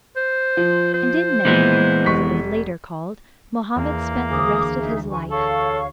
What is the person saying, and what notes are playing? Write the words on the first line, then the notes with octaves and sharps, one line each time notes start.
And in Medinah, as it was later called, Mohammed spent the rest of his life.
C5
F3
C5
A#2 E3 G#3 B3
F1 C#6 B6
E2 A#3
D2 G#4 D6 D#6
G#3 D#4 G#4 E5
B4 G#5 C#6
A4 C#5 F5 C#6